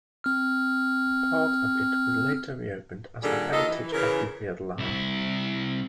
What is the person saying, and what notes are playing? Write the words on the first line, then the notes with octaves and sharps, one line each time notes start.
Part of it was later reopened as the heritage Battlefield Line.
C4 F6
A#2 D3 D#3 G3 G#4 A4
D#2 D#3 F4 A4 D#5
E3
C#3 E3 A#4
C2 E4